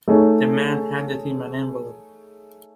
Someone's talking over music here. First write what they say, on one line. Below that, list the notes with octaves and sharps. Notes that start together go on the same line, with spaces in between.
The man handed him an envelope.
A3 D#4 G#4 C#5